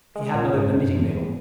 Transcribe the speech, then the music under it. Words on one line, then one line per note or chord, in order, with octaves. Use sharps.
"He had not even a knitting-needle."
G#3
A#2
G#2
F#2
E2
E2